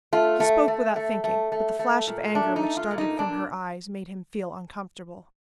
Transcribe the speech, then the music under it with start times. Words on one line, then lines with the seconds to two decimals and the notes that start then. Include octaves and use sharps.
He spoke without thinking, but the flash of anger which darted from her eyes made him feel uncomfortable.
0.13 A3 F4
0.40 A3
0.68 A3
0.96 A3
1.24 A3
1.52 A3
1.79 A3
2.07 A#2
2.35 A3 D4
2.56 D#4
2.63 A3
2.77 F4
2.91 A#2
2.98 D#4
3.18 A#2 D4